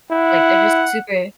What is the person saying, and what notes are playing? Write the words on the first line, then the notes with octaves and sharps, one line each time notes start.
like, they're just super
E4 F#5